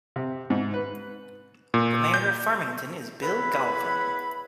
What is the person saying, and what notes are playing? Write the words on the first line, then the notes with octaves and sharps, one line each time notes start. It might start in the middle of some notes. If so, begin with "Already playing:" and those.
The Mayor of Farmington is Bill Galvin.
C3
G#2
B4
A#2
G6
E2 B4 C#5 E5 F#5 B5